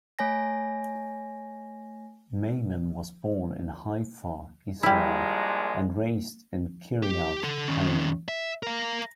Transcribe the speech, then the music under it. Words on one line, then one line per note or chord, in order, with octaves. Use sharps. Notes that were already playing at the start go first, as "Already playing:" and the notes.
Maimon was born in Haifa, Israel, and raised in Kiryat Haim.
A3 C#5 G#5 A#6
A#1 A#2 G3 G#3 E4
G4
A4 F#5
D#3 C#4
E5
A#4 F5